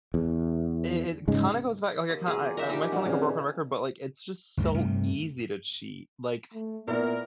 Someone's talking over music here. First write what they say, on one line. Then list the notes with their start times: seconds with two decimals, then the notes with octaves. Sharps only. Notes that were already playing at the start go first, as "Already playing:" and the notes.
it it kinda goes back okay, ki I I might sound like a broken record, but, like, it's just so easy to cheat, like,
0.14 E2
1.28 G#2 C#3 G#3
2.10 D#2
2.28 E2 A#3 F4 F#4 G#4
2.57 D#3 C#4 E4 A#4 E5
2.70 A#2 D#4 G4
2.92 A2 D3 E3 F3 D4 F#4 F5
3.06 A#2 C#3 E3 C4 C#4 D#5 E5
4.57 D2 G2 A#2
4.74 G2 C3 A3
6.53 A3
6.88 A#2 B3 E4 A#4 D5